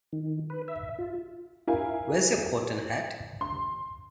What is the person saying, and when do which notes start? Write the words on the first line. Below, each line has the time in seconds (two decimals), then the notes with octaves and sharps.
Where's your coat and hat?
0.13 D#3
0.50 B4
0.68 E5
0.99 F4
1.67 E4 A#4 F5 G#5
3.41 C6